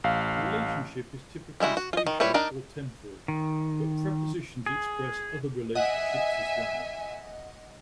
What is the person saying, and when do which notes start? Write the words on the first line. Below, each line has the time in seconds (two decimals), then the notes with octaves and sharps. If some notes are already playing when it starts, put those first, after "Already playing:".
The relationship is typically spatial or temporal, but prepositions express other relationships as well.
0.04 A1 F5
1.60 G3 G#3 E4 F#4
1.77 F#4
1.93 F4 D#5
2.07 D#3
2.20 G3 E4 B4 C#5
2.34 D4 D#4 A#4 D5
3.28 D#3
4.66 G#4
5.75 D#5 E5 F#5 G#5